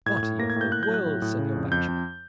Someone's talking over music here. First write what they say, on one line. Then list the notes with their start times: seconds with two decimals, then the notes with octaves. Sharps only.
Body of the world, senor bachelor!
0.06 A2 G#6
0.17 G#6
0.23 A2
0.39 A#3 A#6
0.50 G#6
0.56 A2 G6
0.72 A2 F#6
0.83 G6
0.88 F#3
0.94 F#6
1.06 A2
1.22 A2
1.39 C#3
1.55 F2
1.72 F2 G6
1.88 F2